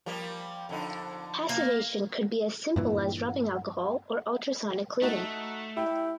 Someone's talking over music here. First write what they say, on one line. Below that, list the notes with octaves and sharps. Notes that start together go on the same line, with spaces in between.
Passivation could be as simple as rubbing alcohol or ultrasonic cleaning.
F3 G3 A#3
F2 D3 D#4
A#3
G2 A#2 E3
A3 D#4 F#4
E4 G4